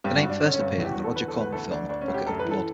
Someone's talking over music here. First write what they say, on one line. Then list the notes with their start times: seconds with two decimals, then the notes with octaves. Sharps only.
The name first appeared in the Roger Corman film "A Bucket of Blood".
0.04 G2 G4
0.17 F#4
0.23 G2
0.30 D4
0.42 D3 C#4
0.54 C#4
0.60 G2
0.66 C#4
0.78 E2 E4
0.85 G4
0.91 F#4
0.98 E2
1.04 A4
1.16 D3 B4
1.28 A4
1.34 E2
1.41 B4
1.52 D2 A4
1.71 D2 D4
1.89 D2 D4
2.01 C#4
2.08 D2
2.14 G4
2.26 F#2 A4
2.39 B4
2.45 E3
2.51 A4